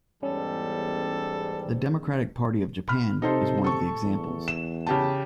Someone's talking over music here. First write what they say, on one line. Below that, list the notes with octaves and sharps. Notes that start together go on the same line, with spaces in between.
The Democratic Party of Japan is one of the examples.
E2 G#2 G3 C#4 A4
B5 F6
C3 D#4 A4 C5
A4 C#6
E2
E7
C#3 G4 A5